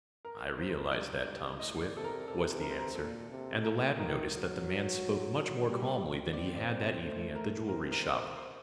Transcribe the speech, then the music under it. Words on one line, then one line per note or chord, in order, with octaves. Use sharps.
"I realize that, Tom Swift," was the answer, and the lad noticed that the man spoke much more calmly than he had that evening at the jewelry shop.
A#4
C5
G2 D5
A2 D#5
D5
C3 A4
A#4
C3 A4
A#4
C5
A#4
A#2 A4
C3
A3 A#4
D#3 A#4
F#3
G3
C4 D5
C5
D5
A3 C5
A#4
C3 A#4
A#4
C5
C5